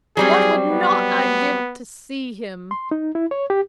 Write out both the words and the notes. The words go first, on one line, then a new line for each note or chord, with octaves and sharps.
What would not I give to see him!
F#3 G3 C4 G#4
B3
C6
D#4
E4
C#5
G4